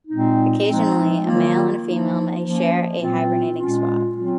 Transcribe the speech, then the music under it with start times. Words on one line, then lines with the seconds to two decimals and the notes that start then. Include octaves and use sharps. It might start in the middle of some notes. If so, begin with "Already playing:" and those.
Occasionally a male and female may share a hibernating spot.
0.08 A#2 G#3 C4 D#4
0.66 F3 G#3 C4 D#4
1.25 D#3 F#3 A#3 F4
1.83 F3 A#3 D#4
2.41 F3 A#3 C#4
2.99 A#2 F#3 C4 F4
3.57 A#2 G#3 C#4 F4
4.15 F#3 C4 F4